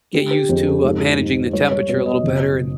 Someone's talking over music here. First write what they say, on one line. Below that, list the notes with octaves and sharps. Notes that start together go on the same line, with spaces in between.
get used to, uh, managing the temperature a little better and
D3 G4
G4
F2 G#4
A4
G#2
G#2
G3 C#5
C#5
B2 C#5
D#5
F#1